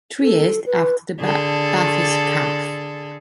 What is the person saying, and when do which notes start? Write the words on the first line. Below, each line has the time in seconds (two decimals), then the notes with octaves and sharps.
"Trieste", after the bathyscaphe.
0.23 A4
0.66 B4
1.20 D3 G#4 A4